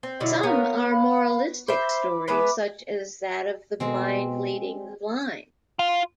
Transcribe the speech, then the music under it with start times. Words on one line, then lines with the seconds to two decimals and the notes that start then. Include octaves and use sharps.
Some are moralistic stories such as that of the "blind leading the blind".
0.03 C4
0.20 B2 D3 F#3 E4 D#5
0.43 B3 A#4 C#5 F5 A#5
0.92 F5 B5
1.68 C5 E5 B5 D6
2.28 G#3 B3 B4 E5 B5 D6
3.80 B2 G#3 C4
5.79 F4